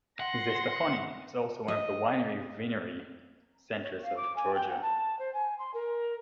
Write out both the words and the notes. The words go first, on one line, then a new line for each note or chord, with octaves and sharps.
Zestafoni is also one of the winery-vinery centers of Georgia.
F#5 C6 A#6
D#5
C#5
F5
D6
G#5
G5
F#5
A5
C5
G#5
C6
A#4